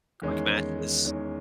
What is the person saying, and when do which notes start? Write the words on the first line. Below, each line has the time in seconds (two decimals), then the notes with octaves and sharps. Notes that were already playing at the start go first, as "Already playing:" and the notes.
Quick matches.
0.22 E2 D#3 G#3 C#4
1.05 E2 D#3 G#3 C#4